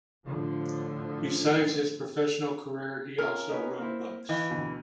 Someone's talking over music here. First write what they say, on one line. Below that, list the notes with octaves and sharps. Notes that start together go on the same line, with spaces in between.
Besides his professional career he also wrote books.
A2 D3 F3
C#4 F4 G#4 A#4
B3 C#4 D#4
A#3 C4 E4
E3 D#5 F5 G5
D2 B2